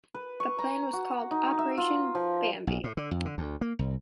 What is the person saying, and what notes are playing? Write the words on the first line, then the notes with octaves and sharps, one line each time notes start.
The plan was called "Operation Bambi".
B4
C#6
A#5
F#4
D#4
E5
F4
F3
B1
A2
D3
F2
D3
D2
A#3
C2